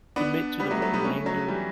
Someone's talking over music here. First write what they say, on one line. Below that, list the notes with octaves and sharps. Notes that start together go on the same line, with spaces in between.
commit to the re remainder
B3 D4
G3 B3
F#3 A3
F#3 A3
G3 B3
A3 C#4
F#3 A3
E3 G3